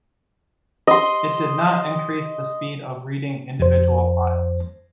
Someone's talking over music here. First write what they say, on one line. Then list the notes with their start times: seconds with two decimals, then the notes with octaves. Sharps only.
It did not increase the speed of reading individual files.
0.87 D#5 C6
3.60 F2 C5